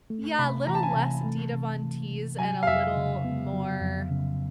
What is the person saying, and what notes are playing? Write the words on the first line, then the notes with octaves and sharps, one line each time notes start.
Yeah, a little less Dita Von Teese and a little more
A3
C3 B5
E3 A#5
A5
G#5
C3 A5
A3
C3
E3
C3
F#3 G#5
F5
F2 E5
C#3
B3
F#3
F2
C#3